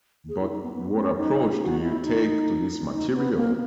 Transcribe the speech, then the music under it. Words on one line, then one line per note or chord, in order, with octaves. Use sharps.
But what approach do you take to this material?
G#4
E4
D#4
B3
B3
C#4
D#4
F#4
E4
D#4
D#4
B3
A#3